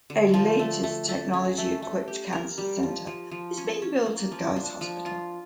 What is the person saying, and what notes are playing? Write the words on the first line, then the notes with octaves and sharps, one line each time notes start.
A latest-technology-equipped Cancer Centre is being built at Guy's Hospital.
D3
F3
A3
A3
A3
C#4
A3
A3
G4
A#4
G3
F3
F3
F3
C#4
C#4
A#3
F3
D4
F3
F4